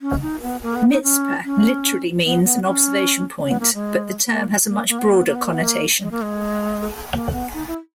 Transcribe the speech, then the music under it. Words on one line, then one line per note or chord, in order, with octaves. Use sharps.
"Mitzpeh" literally means an observation point but the term has a much broader connotation.
C#4
D#4
B3
A#3
B3
D#4
C#4
C#4
B3
B3
C#4
B3
A#3
G#3
A#3
A#3
A#3
B3
A#3
B3
A#3
B3
A#3
B3
A#3
G#3
A#3
G#3
A#3
B3
D#4
E4